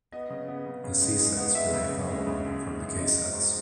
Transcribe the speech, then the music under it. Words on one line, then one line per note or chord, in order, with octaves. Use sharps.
The C sets were a follow-on from the K sets.
B3 D#5
C#3
B3
C#3
C#3
G#3
G#3
B3
G#3 E5
C#3
C#3
G#3
C#3
F#2
G#3
C#3
F#3 D#5
G#2
G#2